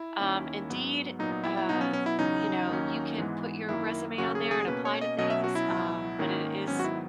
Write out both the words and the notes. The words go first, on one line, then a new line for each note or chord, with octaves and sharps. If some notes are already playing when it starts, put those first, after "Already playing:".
um, Indeed, eh, uh, you know, you can put your resume on there and apply to things, um, but it is
Already playing: E4
D#2 D#3 A#3 C#4
G#2 F#3 B3
A#2 F#3 B3 D#4
D#4
E4
E4
B2 F#3 B3 D#4
C#4
C#4
E4
E2 C#3 F#3 C#4 D#4
D#2 D#3 F#3 A#3 C#4
G#2 E3 G#3 B3
F#2 D#3 A#3 E4
D#2 C#3 F#3 A#3 C#4 F#4
G#4
G#4
B2 A#3 C#4 B4
C#5
D#5
B2 F#3 C#4 D#5
E5
F#4
E4
C#2 B2 F#3
G#2 D#3 A#3 C#4
G#2 D#3 F#3 B3 C#4
F#4
E4